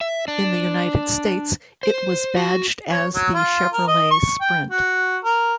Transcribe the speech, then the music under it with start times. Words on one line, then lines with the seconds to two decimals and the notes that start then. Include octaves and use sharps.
In the United States, it was badged as the Chevrolet Sprint.
0.01 E5
0.28 D4
1.83 C5
2.36 F#4
2.91 C#5
3.14 F#3
3.35 F4
3.73 A#4
3.87 D#5
4.11 C#6
4.41 G5
4.71 F#4
5.24 A#4